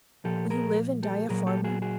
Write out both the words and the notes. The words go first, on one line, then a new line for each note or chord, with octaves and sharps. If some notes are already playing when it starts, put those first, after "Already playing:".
Will you live and die a farmer?
A#2 F3 G4 A4
G#4 A#4
G4 A4
A#2 F#3 G#4 A#4
G4 A4
F#4 G#4
F#4 G#4